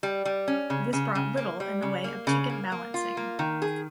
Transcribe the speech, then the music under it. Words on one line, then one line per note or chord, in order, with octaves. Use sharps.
This brought little in the way of ticket balancing.
G3
G3
C#4
C#3
C#3
C#3
A#3
G3
C#3
A#3
C#3
A#3
A#3
F4
A#3
D#3
G#4